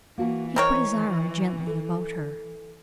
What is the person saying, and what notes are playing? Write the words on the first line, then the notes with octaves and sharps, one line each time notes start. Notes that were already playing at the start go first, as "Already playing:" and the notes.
He put his arm gently about her.
E3 A#3 F#4 A5
C4 A#4 C#5 D#5
A4